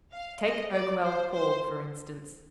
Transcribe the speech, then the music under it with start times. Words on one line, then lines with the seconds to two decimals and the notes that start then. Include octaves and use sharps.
Take Oakwell Hall, for instance.
0.13 F5
0.42 D#5
0.72 D5
1.03 C5
1.33 C5